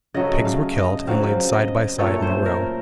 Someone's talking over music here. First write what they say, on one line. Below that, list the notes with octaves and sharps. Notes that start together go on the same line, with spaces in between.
The pigs were killed, and laid side by side in a row.
C#3 F#3 A3 D#5
F5
D#5
C#3 F#3 C4 F5
D#5
A#2 F#3 A3 C#4 C#5
C5
A#4